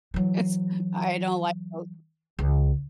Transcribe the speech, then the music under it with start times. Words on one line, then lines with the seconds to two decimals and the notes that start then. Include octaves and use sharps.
It's I don't like those
0.14 E3 F#3
2.39 C#2